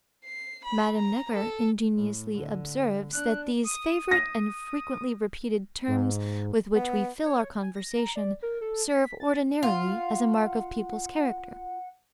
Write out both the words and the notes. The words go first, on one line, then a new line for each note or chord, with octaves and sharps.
Madame Necker ingeniously observes that these favorite and frequently repeated terms with which we fill our conversation, serve, ordinarily as a mark of people's character.
C7
B5
A#5
A4
A2
D3
D4 F#6
D#6
A#6
G#2
B3
C#5
G#5
A#6
A#5
D5
A#4
A4
B6
A6
F4 F#5